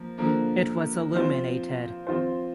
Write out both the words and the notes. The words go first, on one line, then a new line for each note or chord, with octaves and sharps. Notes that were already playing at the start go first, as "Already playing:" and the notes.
It was illuminated.
Already playing: F3 A#3
D3 F3 A#3
F3 C4 F4 C5
F3 C4 F4 C5